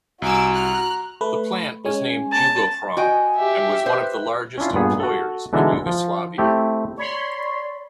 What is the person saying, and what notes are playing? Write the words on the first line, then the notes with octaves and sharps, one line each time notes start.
The plant was named "Jugohrom", and was one of the largest employers in Yugoslavia.
C2 F#4 G#5 A#5 D6 E6
F6 F#6
A3 B4
G#3 C#4 G#5
A5
F#4 D#5 G5 G#5
G4 E5
B4 C5
C#4 D4 E4 F4
G2 A#2 B3 G#4
F#4 A4
B2 D3 E3 G#3 D#4 A4
F3
A3 C4 E4 G4
C#5 D5 B5 C6